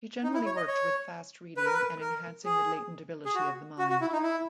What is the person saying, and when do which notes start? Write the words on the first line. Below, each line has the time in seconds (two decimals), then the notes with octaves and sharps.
He generally worked with fast-reading and enhancing the latent ability of the mind.
0.23 D#4
0.34 E4
0.46 C#5
0.57 D#5
0.67 C#5
1.57 B4
1.65 A#4
1.73 B4
2.01 A#4
2.45 G#4
3.25 G#4
3.35 F#4
3.79 F#4
3.90 F#4
4.01 E4
4.13 D#4
4.23 E4